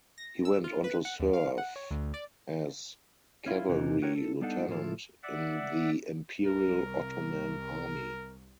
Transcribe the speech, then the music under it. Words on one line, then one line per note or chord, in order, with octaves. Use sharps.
He went onto serve as Cavalry Lieutenant in the imperial Ottoman army.
A#6
E6
F4
B4
F#5
D#2
F5
F#5
C#5
D2
D5
C#4 E4 F4
E2 C3 E3 D#4
E4 F#4 G4 A#4 C#5
A4
G3 B3 D4 D#4 A4 F#5
A2 F3 E4 F4 A4
D5 E5 F#5
C2 A#4